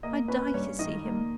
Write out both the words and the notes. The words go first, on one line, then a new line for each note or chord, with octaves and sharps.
I die to see him.
A#3 D#5
C#4 B4
G2 C#5
D#3 D#5
A#3